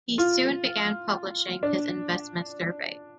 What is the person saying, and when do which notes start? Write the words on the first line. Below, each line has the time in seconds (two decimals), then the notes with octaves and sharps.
He soon began publishing his investment survey.
0.18 F4
1.63 D4